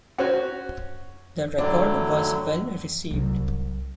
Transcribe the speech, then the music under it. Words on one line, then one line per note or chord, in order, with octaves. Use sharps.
The record was well received.
C#4 F#4 C5 F#5
A2 D3 F#3 D4
C2 F#3